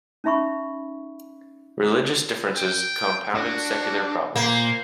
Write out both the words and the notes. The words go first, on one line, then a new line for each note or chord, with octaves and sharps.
Religious differences compounded secular problems.
C#4 D#4 E5 B5 C#6
G5
D4 F#4
A#2 A#3 C5